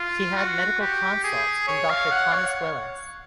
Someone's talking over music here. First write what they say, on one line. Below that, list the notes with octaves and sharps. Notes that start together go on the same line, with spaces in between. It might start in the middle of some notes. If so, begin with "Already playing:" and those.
She had medical consults from Doctor Thomas Willis.
Already playing: F4
F#4
G4
G#4
C#5
F5
F#5
C#5